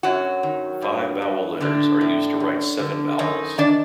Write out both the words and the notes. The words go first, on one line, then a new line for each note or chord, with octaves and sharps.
Five vowel letters are used to write seven vowels.
F#2 F#3 F#4
D#3
G2
G2
A2 D3 D4
A2
F#2
D3
F#2 D#3 D#4
D#3 D4 D5